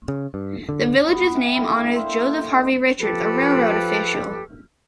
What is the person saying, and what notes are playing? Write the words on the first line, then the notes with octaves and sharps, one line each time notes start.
The village's name honors Joseph Harvey Richards, a railroad official.
C#3
G2
D3
B3
E3 G3 B4
D3 A#3 E4
A#3 C5 E5
D#4 G4
F3 G4 A4 B4